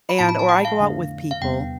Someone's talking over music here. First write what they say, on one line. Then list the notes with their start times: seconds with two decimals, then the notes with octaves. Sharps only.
and or I go out with people
0.09 B5
0.19 A2 F3 B3 E4 A5
0.29 B5
0.39 A5
0.49 G5
0.65 F5
0.80 F2 D3 A3 D4
1.31 F5
1.41 E2 C3 G3 B3 G5